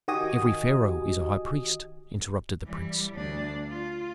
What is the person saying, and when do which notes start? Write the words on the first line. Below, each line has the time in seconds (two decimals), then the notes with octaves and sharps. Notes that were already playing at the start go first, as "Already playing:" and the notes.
"Every pharaoh is a high priest," interrupted the prince.
0.08 D#3 F#4 G4 D#5 G#5 D#6
2.65 E3 G3
3.13 D2 D4
3.68 F4